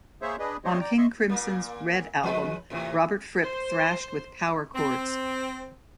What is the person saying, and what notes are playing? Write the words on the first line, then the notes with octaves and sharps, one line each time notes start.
On King Crimson's "Red" album, Robert Fripp thrashed with power chords.
A#3 G#4 C5 C#5 E5
D4 G#4 B4 D#5
G3 A3 G4 C5 C#5 D#5
D5 G5 A#5
D#5 E5 C6 C#6
A#2 A#3
F3 G#3 B4
A2 C3 E3
C5
C4